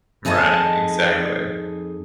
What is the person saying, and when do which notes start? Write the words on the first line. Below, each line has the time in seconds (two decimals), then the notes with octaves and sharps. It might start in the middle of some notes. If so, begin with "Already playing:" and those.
Right, exactly.
0.25 F2 D#4 G#4 D#5 A5